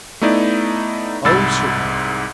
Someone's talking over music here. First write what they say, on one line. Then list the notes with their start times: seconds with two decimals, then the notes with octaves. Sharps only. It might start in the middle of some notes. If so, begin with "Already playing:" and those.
'Oh, certainly.
0.21 A3 B3 D#4 E4 D5
1.25 C2 G#2 B5 E6 A6